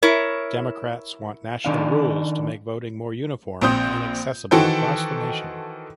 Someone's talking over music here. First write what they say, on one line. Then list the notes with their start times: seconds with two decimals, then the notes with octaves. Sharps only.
Democrats want national rules to make voting more uniform and accessible across the nation.
0.03 E4 A#4 C#5
1.65 D#3 D4 F5
3.61 A#1 C4 C5 D#6 G6
4.51 D#3 E3 F#4 A4 C5 G5